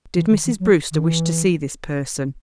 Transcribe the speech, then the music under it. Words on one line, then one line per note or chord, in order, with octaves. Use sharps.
"Did Mrs. Brewster wish to see this person?"
E3
D#3
E3
F#3
D#3
E3